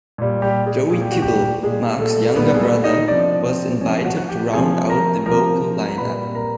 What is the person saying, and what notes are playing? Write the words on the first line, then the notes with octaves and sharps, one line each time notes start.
Joey Kibble, Mark's younger brother, was invited to round out the vocal lineup.
A#2 G3
G3 G4
G#3 G#4
A#2 G3 G#4
G4
F#4
G3 G4
A#2 G3 G#3 G#4
A3 A4
A#2 G3 B3 B4
G#4
A3 A4
D#4 D#5
C3 F3 D4 D5
C4 C5
C3 F3 C#4 C#5
F#4 F#5
F#5
G4 G5
C3 F3 G#4 G#5
A#4 A#5
C3 F3 A#4 A#5
A#5
A#2 G3 B4 B5
A#4 A#5